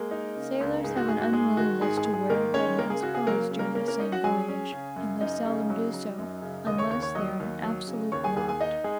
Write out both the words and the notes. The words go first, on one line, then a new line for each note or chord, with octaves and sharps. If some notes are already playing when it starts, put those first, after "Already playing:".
Sailors have an unwillingness to wear a dead man's clothes during the same voyage, and they seldom do so unless they are in absolute want.
Already playing: G#3 A#3 A#4
D#4
C#3
C#2
G#2 G#4
F#4
G#2 G#4
F#4
G#3 G#4
D#3 F#4
G#2 G#4
G#4
G#2
G#4
D#3 A#3 A#4
G#3 C#4 C#5
C#3 A#3 A#4
G#4
C#3 F#4
G#4
F#3 A#3 A#4
C#3
A#3 A#4
A#3 C#4 A#4
A#3 A#4
C#4 D#4 D#5
F#4 F#5
F#3 G#4 G#5
C#4
C#3
F#2
F#2 D#4 D#5
C#3
F#3
F#3
F#2
C#3
D#2 D#5 D#6
C#5 C#6
D#2 C#5 C#6
C#5 C#6
F#3 D#5 D#6
D#2
F#3
C#3
D#2 C#5 C#6
G#4 G#5
D#2 G#4 G#5
G#4 G#5
D#4 D#5
G#3 G#4